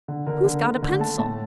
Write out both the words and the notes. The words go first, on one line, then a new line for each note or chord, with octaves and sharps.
Who's got a pencil?'
D3
D3 A#4
D3
A3
D3
A3 A5
A2 A5